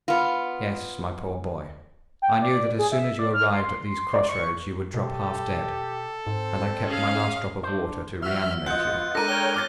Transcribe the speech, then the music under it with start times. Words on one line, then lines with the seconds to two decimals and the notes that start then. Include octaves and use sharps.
"Yes, my poor boy, I knew that as soon as you arrived at these cross roads you would drop half dead, and I kept my last drop of water to reanimate you."
0.08 B3 F4
2.22 G5
2.42 D5
2.78 G#4
2.92 E5
3.19 D5
3.34 F6
3.53 C6
4.14 D5
4.29 C#6
4.94 B2 G4 A4
6.27 G#2 C4
6.85 C#4 G#4 F5
7.63 D4 C5
8.22 F3 F#4 E5 E6 F6
8.66 B3 F4 D#5 F#5 F#6 G6
9.15 G#3 D4 A4 A#4 A#6 D#7
9.28 C#5 G5 F6 G7
9.54 C#5 D6 F6 A6